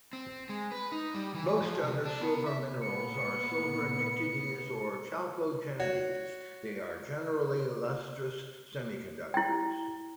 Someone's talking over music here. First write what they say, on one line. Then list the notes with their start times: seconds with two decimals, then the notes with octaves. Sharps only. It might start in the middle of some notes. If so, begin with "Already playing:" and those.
Most other silver minerals are silver pnictides or chalcogenides; they are generally lustrous semiconductors.
0.13 C4
0.49 G#3
0.72 B4
0.92 D#4
1.15 G3
1.34 E3
1.61 F3
1.83 C3
2.05 D4
2.21 B3
2.46 E5
2.82 A#2 A3 B3 C#7
5.80 F#4 C#5
9.34 E4 G5